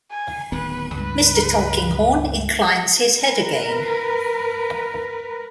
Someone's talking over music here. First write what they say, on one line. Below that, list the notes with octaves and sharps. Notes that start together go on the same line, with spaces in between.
Mr. Tulkinghorn inclines his head again.
G#5
D1 D#3 B3 B4
C#2 G2 B4
A#4 B4